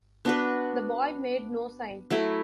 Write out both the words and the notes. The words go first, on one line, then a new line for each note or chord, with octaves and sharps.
The boy made no sign.
B3 D4 F#4 B4
F#3 A3 E4